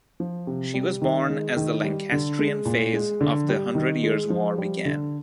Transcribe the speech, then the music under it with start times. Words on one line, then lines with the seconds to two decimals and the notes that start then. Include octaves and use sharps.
She was born as the Lancastrian phase of the Hundred Years War began.
0.20 F3
0.47 C3
0.74 G3
1.02 D#3
1.29 G#3
1.57 D#3
1.84 G3
2.12 D3
2.39 G#3
2.65 A#2
2.93 G#3
3.21 D3
3.49 G3
3.75 D#3
4.03 G#3
4.30 F3
4.58 G3
4.85 D3